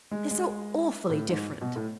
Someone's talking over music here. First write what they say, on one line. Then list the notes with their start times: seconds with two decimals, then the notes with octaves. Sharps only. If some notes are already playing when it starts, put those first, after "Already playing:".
They're so awfully different!'
0.11 G#3
0.31 G#3
1.10 A2
1.29 G#2
1.61 B2
1.76 A2